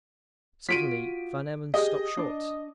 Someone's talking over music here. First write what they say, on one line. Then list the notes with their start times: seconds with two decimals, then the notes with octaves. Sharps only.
Suddenly Van Emmon stopped short.
0.69 F4 F#4 B6 D7 D#7
1.74 G4 G#4 D#5
2.17 D4 D5